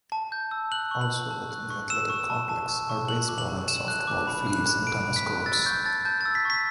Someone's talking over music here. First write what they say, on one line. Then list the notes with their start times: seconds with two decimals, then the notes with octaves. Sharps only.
Also within the athletic complex are baseball and softball fields and tennis courts.
0.12 A5
0.32 G6
0.51 E6
0.72 F#6 F#7
0.91 C#6
1.01 F#7
1.11 A5
1.31 A5
1.51 F#6
1.70 C#6
1.90 E6 E7
2.09 C#6
2.30 A5
2.49 A5
2.69 E6
2.90 C#6
3.08 F#6 F#7
3.28 D6
3.38 F#7
3.49 A5
3.68 A5 E7
3.88 F#6
4.07 D6
4.27 B5
4.47 F#6
4.67 F#6
4.87 B5 D7
5.07 B5
5.16 B6
5.27 F#6
5.46 E6 A6
5.66 C#6 G6
5.86 A5 A6
6.05 A5 G6
6.21 A6
6.25 E6
6.35 B6
6.45 C#6 B6